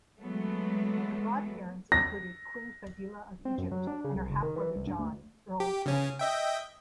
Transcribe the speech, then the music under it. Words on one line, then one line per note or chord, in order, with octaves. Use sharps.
Her godparents included Queen Fadila of Egypt and her half-brother John, Earl Jermyn.
E3 F#3 G#3 A3 B3
A#6
C4
F#2
F#3
D4
C#3
C2
F#1
D#3
E3
C2
G2
D2
G4
C#3 C#4
D#5 E5 G5